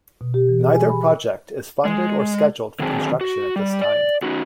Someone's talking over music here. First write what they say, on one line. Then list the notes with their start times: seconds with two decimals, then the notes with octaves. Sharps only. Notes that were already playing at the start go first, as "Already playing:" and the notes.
Neither project is funded or scheduled for construction at this time.
0.21 B2
0.34 G4
0.49 E3
0.61 G#4
0.73 G#5
0.89 B5
1.85 G#3
2.80 D3 D#3 F#3 C4 G#4 A5
3.21 F#4
3.56 G3
3.81 D5
4.23 C#4 D#4 F#4